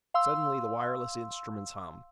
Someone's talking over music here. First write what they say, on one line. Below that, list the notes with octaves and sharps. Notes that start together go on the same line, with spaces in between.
Suddenly the wireless instruments hummed.
F5 C6 E6